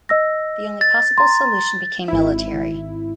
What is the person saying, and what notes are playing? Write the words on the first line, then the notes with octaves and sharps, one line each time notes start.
The only possible solution became military.
D#5 E6 A#6
A6
A#5 C6
G#1 E4